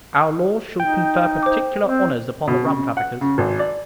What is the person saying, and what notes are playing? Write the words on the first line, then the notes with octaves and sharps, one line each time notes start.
Our laws shall confer particular honors upon the rum traffickers.
D#4 G5
C5 D6
C4
B2
C#3
F#5
C#3
G#1
D5